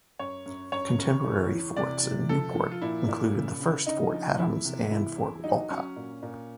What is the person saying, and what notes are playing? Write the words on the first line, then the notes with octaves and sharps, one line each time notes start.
Contemporary forts in Newport included the first Fort Adams and Fort Wolcott.
F#2 C#5
F#2
F#2 C#5
C#3
E2
E3
C3 D5
C3
F3 A4
F3
F4
A#2 E4
A#2
C#3
C#3
C#3 D#4
F3
E2 E4
C3
E2 E4
E2
F#3 D#4
F#3 C#4
A#2
A#2